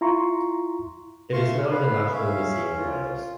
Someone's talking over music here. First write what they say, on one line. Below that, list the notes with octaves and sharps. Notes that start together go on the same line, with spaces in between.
It is now in the National Museum Wales.
E4 F4 A#5 C6 C#6
A3 F4 C6 C#6
B4 F5
C#4 E5 F5
F4